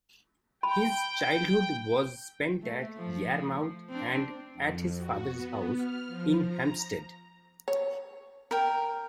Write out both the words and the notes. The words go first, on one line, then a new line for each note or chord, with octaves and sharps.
His childhood was spent at Yarmouth and at his father's house in Hampstead.
G5 B5
A3
F3
C4 D4
F2
F#4
B3
F6
F3
A#5
C#5
A#4 G5